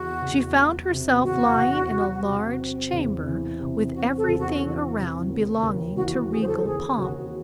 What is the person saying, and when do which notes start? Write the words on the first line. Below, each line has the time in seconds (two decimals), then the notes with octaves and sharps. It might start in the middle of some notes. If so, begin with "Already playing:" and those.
She found herself lying in a large chamber, with everything around belonging to regal pomp.
Already playing: E2 F#4
0.22 E2
0.55 F#3
0.90 C3
1.23 E2 F#4
1.57 E2
1.91 F#3
2.25 C3
2.59 C4
2.93 E2
3.26 E3
3.59 C3
3.94 C4 F#4
4.16 A4
4.28 E2
4.39 F#4
4.62 E3
4.95 C3
5.29 D#2
5.63 D#2
5.96 E3 F#4
6.30 C#3 G#4
6.41 C5
6.47 A4
6.64 D#2 G#4
6.98 D#2 F#4